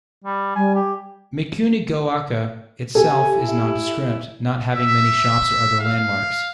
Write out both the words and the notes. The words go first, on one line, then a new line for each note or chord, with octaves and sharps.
Mikunigoaka itself is nondescript, not having many shops or other landmarks.
G3
G3 G#5
G4
G4 A4 G#5
E4
E5
F5